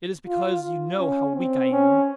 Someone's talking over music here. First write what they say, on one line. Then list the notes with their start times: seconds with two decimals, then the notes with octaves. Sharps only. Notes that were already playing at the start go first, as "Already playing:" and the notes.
It is because you know how weak I am!
0.28 F4
0.99 C#4
1.35 C4
1.72 C#4